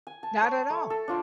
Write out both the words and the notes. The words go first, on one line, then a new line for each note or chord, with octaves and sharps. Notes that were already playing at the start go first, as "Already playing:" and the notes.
Not at all.
G#5
A5
C#5
A3
A4
D4 F4 D5